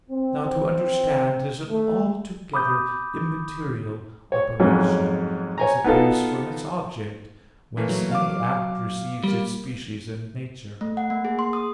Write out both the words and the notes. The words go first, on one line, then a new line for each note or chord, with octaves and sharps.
Now to understand is an altogether immaterial operation, as appears from its object, whence any act receives its species and nature.
C4
A3
B5 D6 D#6 G6
C#5
F2 G#2 F#3 G#3 C#4
C#5 G#5 A#5
B3 D#4 F4 A4
E3 A3 A#3
F#3
F5 D6
G3 A#3
A3
F#5
A#3
G#4
C6
D#6